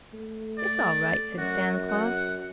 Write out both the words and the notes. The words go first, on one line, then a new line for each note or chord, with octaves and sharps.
"It's all right," said Santa Claus.
A3
D5
F#2 F#4
F#5